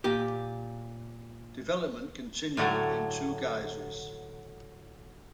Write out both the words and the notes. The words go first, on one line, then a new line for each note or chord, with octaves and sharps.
Development continued in two guises.
A#2 G4
A2 D3 F#3 A3